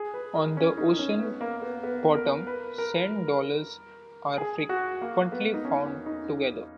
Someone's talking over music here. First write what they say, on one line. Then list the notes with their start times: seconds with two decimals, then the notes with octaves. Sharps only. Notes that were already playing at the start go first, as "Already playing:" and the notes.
On the ocean bottom, sand dollars are frequently found together.
Already playing: G#4
0.14 B4
0.35 A#4
0.57 C#4
0.77 D#4
0.99 C#4
1.19 B3
1.41 A#3
1.62 B3
1.83 B3
2.15 A#4
2.47 B4
2.78 A#4
4.38 G#4
4.69 F#4
5.01 A#3
5.32 B3
5.54 D#4
5.65 C#4
5.86 C#4
6.06 D#4